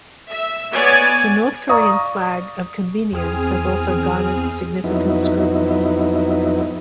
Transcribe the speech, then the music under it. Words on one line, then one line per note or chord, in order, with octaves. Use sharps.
The North Korean flag of convenience has also garnered significant scrutiny.
E5
B3 C#5 D5 G#5
D5 F5 A#5 C#6 D#6
E2 C4 G#4 F6 D#7
F2 F#3 B3 D#4 E4